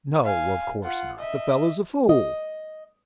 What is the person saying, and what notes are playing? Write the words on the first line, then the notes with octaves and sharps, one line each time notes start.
"No, of course not; the fellow's a fool."
F5 G#5
F4 F#5
D#5 E5
D#5